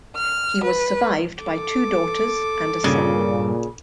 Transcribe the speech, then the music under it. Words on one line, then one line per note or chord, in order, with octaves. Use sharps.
He was survived by two daughters and a son.
F6
B4
A4 D6
G2 A#2 C#3